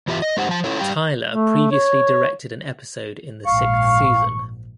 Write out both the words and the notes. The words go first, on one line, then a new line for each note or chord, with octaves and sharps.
Tyler previously directed an episode in the sixth season.
E3 F4 G4 E5
D#5
G#3 D#4 G4 C5 F#5
F3 A5
C#4 E4 F4 A4 C#5
G2 G3 G4 F5 G5
A3
C#5
A#1 G#2 F5 C#6